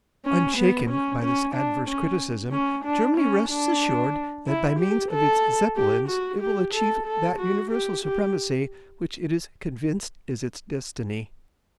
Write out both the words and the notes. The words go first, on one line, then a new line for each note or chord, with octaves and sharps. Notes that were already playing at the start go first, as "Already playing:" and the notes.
Unshaken by this adverse criticism, Germany rests assured that by means of its Zeppelins it will achieve that universal supremacy which it is convinced is its Destiny.
C#4
B3
C#4
C#4
D4
C#4
C#4
D4
C#4
D4
E4
G4
A4
G4
F#4
G4
A4
A4
F#4
G4
G4